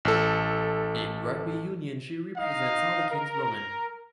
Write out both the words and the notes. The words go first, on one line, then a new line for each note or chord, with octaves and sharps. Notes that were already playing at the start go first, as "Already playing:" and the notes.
In rugby union she represents Harlequins Women.
A1 A4
D#4 D#5 F5
A#4